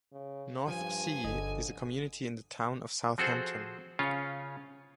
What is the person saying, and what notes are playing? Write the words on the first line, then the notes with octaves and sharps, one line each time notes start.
North Sea is a community in the Town of Southampton.
C#3
G2 F3 G#5
G1 D3 D#5
F3 C4 F#4 G#4 A4 C5
C#3 C#4 F4 C#5